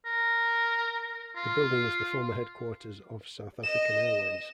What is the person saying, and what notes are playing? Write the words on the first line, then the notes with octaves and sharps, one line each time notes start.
The building is the former headquarters of South African Airways.
A#4
F4
D#5 E7